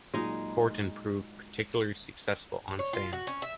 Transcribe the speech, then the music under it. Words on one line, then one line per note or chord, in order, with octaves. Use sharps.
Kuerten proved particularly successful on sand.
A#2 F#3 G#3 D#4
C#5
F4
F#4
C#4
E5